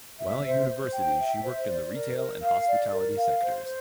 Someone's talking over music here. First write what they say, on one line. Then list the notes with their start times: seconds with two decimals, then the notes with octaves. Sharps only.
While at university she worked in the retail and hospitality sectors.
0.19 E5
0.45 C5
0.69 C5
0.93 G5
1.19 E5
1.44 C5
1.68 D5
1.93 A#4
2.18 A#4
2.42 F5
2.67 D5
2.91 A#4
3.16 F5
3.41 C5
3.65 C5